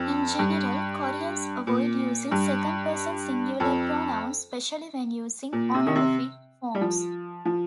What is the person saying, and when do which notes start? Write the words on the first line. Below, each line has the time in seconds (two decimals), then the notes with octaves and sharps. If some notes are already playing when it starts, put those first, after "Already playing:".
In general, Koreans avoid using second person singular pronouns, especially when using honorific forms.
Already playing: F2
0.39 G2
1.67 A#2
2.31 G2
3.60 F2
5.53 A#2
5.74 C3
5.87 D#3
5.96 C3
6.75 G3
6.81 F3
7.45 F3